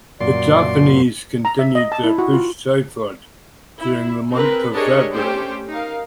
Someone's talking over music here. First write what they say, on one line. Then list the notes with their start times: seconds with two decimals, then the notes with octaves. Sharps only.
The Japanese continued their push southward during the month of February.
0.20 F#2 A#2 D5 C6
1.45 A#5
1.59 E5
1.75 D#5
1.92 A5
2.04 E4
2.18 F#4
2.33 F4
3.78 E4
4.32 C4 G#4 A#4 B4
4.74 D4 G4 G#4 A#4 C#5 D#5
5.12 A3 C#4 G4 C5 G5
5.70 D#4 A#4 F5